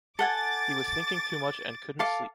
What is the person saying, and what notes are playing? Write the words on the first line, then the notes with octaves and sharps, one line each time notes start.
He was thinking too much and couldn’t sleep.
A4 F#5 G#5 D6 A6
A4 F5 D6